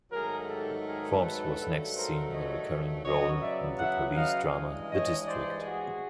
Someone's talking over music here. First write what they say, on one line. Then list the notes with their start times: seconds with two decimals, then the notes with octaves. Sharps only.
Forbes was next seen in a recurring role on the police drama "The District".
0.12 G#2 D#3 F#3 A3 G#4 A#4
0.49 G4 A4
0.85 G#4 A#4
1.22 A4 B4
1.58 G2 D#3 F#3 A3
1.95 A#4 C5
2.31 C#5 D#5
3.05 C#3 F#3 B3 C#5 D#5
3.42 D5 E5
3.78 E5 F#5
4.15 D#5 F5
4.52 G2 E3 G#3
4.89 C#5 D#5
5.25 C5 D5
5.62 F#4 G#4